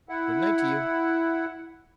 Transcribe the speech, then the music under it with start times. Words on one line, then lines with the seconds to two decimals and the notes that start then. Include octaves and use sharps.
"Good-night to you."
0.09 E4 F#5